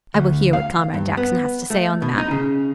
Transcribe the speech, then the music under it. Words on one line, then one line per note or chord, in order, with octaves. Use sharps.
I will hear what Comrade Jackson has to say on the matter.
D2
F5
G2
B3
A3
B2
D#4
C#3